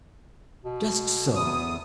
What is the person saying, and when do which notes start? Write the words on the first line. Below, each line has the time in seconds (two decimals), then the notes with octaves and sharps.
Just so.
0.64 B2
1.36 E2 D#6